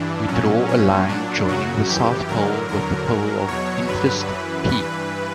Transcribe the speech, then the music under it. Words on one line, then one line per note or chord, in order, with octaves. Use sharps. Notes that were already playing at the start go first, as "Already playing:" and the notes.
We draw a line joining the South pole with the pole of interest "P".
Already playing: G2 E3 D4
A#2 F#3 C#4
A#2 F#3 C#4
A#2 F#3 D4
F#2 C#3 F#3 F#4
F#2 E3 G4
G2 D3 F#3 A#4
E2 D3 F#3 A#4
G2 F#3
E2 B2 F#3 C#5
G2 D3 F#3 B4
F#2 E3
G2 E3 B4